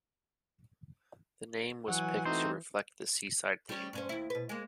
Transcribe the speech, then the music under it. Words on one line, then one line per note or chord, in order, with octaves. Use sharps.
The name was picked to reflect the seaside theme.
E3 F#3 F#5 G#5
A3 C4 D#4 F#4 C5
G3 C#4
G2 C#4 C5
D#2 E4
B2 B4
G#3 A#3